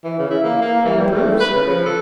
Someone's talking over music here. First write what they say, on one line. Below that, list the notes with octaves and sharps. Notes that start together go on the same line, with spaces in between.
"And the proofs?"
E3
C#3
E4
A#3
A#3
E3
G3
A3
B4
C#3
F3
A4